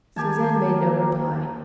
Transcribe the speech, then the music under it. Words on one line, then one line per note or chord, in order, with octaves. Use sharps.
Suzanne made no reply.
D#3 A#3 G4 G#5 A5